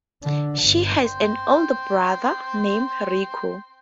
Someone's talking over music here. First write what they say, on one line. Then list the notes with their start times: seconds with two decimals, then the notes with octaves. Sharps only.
She has an older brother named Riku.
0.23 D3
0.62 G1
1.05 G5 C6